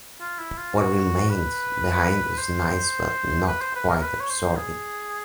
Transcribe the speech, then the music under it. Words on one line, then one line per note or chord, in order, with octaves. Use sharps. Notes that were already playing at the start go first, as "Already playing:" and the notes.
What remained behind is nice but not quite absorbing.
F4
E4
F4
F#4
B4
C5
B4
C5
B4
A#4
B4
C#5
C5
G#4